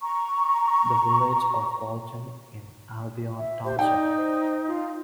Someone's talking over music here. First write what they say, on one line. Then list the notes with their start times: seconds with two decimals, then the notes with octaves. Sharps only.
The village of Bolton in Albion Township.
0.01 A#5 C#6
3.37 E5
3.65 G4 C5
3.79 D#4 D5 G5
4.16 C5
4.68 F4